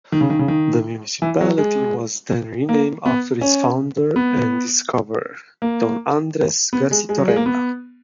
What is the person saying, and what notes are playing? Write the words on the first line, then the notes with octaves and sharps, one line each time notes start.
The municipality was then renamed after its founder and discoverer, Don Andres Garchitorena.
D#3
C#3
D#3
C#3
D#3
E3
F#3
G#3
A#3
B3
C#4
B3
A#3
B3
G#3
G#3
F#3
G#3
A#3
B3